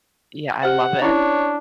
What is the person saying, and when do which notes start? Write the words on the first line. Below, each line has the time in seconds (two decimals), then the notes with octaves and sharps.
Yeah, I love it.
0.63 G4 C5 F#5
1.02 C#4 D4 E4 C#5